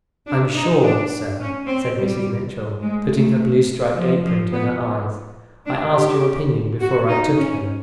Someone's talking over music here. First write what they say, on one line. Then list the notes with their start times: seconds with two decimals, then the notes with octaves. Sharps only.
"I'm sure, sir," said Mrs. Mitchell, putting her blue striped apron to her eyes, "I asked your opinion before I took him."
0.26 D4
0.55 D#4
0.83 D4
1.40 C#4
1.68 C4
1.97 G3
2.81 G#3
3.10 A3
3.96 F3
4.24 F3
4.52 B3
5.66 D4
5.93 G4
6.79 F#4
7.08 D#4
7.36 C#4